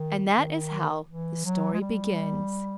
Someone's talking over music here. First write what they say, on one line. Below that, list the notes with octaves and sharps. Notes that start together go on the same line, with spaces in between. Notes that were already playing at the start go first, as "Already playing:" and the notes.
And that is how this story begins.
Already playing: D#3
D#3
E3
F#3
G#3
G3